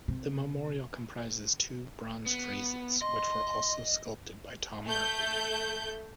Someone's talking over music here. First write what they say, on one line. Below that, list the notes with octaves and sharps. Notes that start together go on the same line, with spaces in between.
The memorial comprises two bronze friezes, which were also sculpted by Tom Murphy.
C3
B3
D#5 C6
A3 G6